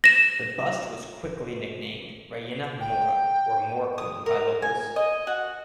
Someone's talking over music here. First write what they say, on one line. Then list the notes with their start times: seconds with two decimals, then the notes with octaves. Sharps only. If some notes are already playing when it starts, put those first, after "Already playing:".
The bust was quickly nicknamed "Reina Mora" or "Moor Queen" by locals.
0.04 A#6 E7
2.80 G5
3.98 D#6
4.26 A#4
4.62 G#5
4.96 D#5
5.27 F#4